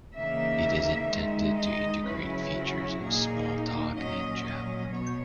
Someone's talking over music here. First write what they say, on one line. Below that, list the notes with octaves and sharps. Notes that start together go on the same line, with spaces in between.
It is intended to integrate features of Smalltalk and Java.
C#3 E3 A#3 D#4 E5
D#3 G#3 D#4
D#5
C#3 F#3 C#4 E4 B4
F#4
A#2 A#3 D#4 G#4
A#2 F#3 C#4 D#5
D#5
B2 F#3 B3 C#5